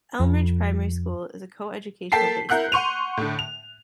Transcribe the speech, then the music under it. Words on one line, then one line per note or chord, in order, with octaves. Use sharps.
Elmridge Primary School is a co-educational day school.
F2
A#3 A4 G5 A5 B6 C7
E4 A#4 F#5 F#6 G6
F#5 C6 C#6 D#7 F7
A2 D3
F7